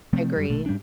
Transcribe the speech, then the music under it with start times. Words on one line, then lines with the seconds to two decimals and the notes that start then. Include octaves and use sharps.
I agree.
0.13 C3 F3 A3 C4
0.35 F#2 G3
0.50 A#1 B2 A3
0.66 G#2 G3 C#4 D4